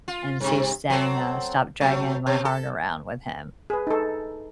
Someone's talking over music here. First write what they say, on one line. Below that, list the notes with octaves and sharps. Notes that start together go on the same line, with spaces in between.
and she sang, uh, "Stop Dragging My Heart Around" with him.
F4
G2 C3
F#3 C4 A4
B2 F#3 A3
B2
A4
G#4 B4
D#4 A4